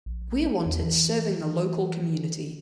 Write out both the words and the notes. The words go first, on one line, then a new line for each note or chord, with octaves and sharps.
We want it serving the local community.
A#1
E2
E3